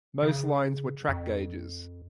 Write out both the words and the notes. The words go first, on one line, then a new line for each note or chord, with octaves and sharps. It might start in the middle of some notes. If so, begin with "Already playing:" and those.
Most lines were track gauges.
C#3
F2